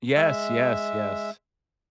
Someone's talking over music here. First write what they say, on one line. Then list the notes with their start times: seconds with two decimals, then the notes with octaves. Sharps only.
Yes, yes, yes.
0.17 G#3 E5